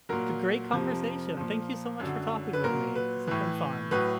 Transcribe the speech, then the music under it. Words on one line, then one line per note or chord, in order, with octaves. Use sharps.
a g great conversation. Thank you so much for talking with me. This has been fun.
A#2 F#3 A#4
F2 C3 F3
A#2 F3
F#2 D3 F#3
B4
A#2 F#3 A#4
B4
A2 E3
A2 F#3 B4